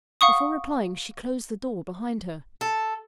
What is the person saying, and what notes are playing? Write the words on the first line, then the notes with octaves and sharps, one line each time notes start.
Before replying she closed the door behind her.
F5 F#5 C#6 D#6
A4